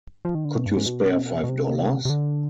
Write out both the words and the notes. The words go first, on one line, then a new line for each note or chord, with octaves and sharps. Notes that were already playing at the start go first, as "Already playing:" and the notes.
Could you spare five dollars?
F3
D#3
D3
B2
G2
G#2
B2
B2
C3
C3
D3